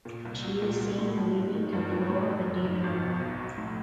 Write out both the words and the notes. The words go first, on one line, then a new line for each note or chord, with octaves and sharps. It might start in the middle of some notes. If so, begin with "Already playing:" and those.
She is seen leaving to blow up a demon army.
A#2
C2
F#3
A#2
F#3
A2
F3
G#2
D#3
G2
E3
A2
F#2
F#1
G#2
G#1
B2
B1
F#3
A2